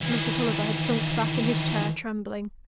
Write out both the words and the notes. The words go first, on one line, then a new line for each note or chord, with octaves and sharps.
Mr. Tulliver had sunk back in his chair trembling.
D#3 E3